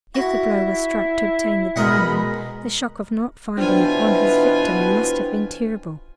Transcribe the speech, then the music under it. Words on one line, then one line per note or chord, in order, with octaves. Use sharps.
If the blow was struck to obtain the diamond, the shock of not finding it on his victim must have been terrible.
E4 F#4
B2 G#3 A#4 D#5 F#5 B5
B2 E3 D4 F4 B4 C5 G5 G#5